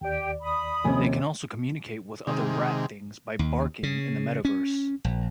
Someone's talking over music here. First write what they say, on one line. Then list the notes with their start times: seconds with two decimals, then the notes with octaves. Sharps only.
They can also communicate with other Rat Things by "barking" in the Metaverse.
0.01 D#2 G4 D5 G5
0.42 B5 D#6
0.84 D#2 C3 F3 A#3 C#4 G#5
2.27 C3 D#3 G#3
3.39 D#2
3.83 C#3
4.45 C#4
5.04 A#1